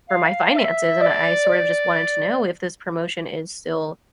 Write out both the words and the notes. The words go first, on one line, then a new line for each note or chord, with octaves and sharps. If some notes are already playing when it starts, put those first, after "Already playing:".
for my finances, and I I sort of just wanted to know if this promotion is still,
F5
E5
D5
D5